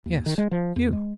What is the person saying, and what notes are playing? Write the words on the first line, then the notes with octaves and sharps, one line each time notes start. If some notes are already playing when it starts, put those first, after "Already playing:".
"Yes, you."
D#2
D#3
G#3
F3
E2
G#3